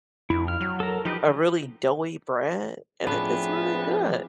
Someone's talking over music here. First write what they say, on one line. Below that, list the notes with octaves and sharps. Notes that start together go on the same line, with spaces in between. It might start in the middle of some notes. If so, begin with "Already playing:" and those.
a really doughy bread, and it it's really good.
F2 E4
F6
F#3
A4 A#4
F3 D#4 G4 B4
A2 F3 A3 B3 C4 D4 G#4 B4